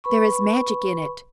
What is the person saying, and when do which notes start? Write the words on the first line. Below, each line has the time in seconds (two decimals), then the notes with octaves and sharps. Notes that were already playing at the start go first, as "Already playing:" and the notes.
There is magic in it.
0.04 B4 B5 C#6